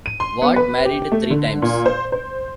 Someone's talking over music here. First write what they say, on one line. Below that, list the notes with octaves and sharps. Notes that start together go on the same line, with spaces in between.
Ward married three times.
D#7
C6
B3
B4
G4
A3
D3
A#2
C5
C5